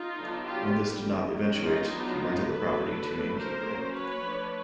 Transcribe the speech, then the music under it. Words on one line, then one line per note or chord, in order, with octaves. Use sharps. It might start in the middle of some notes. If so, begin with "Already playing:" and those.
When this did not eventuate, he rented the property to an innkeeper.
Already playing: D#4 F4
D3 F#3 B3 D4
F4 G4
D3 G3 A#3
D#3 G#3 C#4
D#4 F4
F#3 B3 D4
F#3 A3 D4 A4 B4
F#3 A3 D4
A#4 C5
F#3 A#3 C#4
B4 C#5
F3 A3 D4